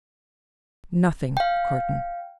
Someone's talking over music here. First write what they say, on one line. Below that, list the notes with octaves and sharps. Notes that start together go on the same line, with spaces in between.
"Nothing, Carton."
F5 G5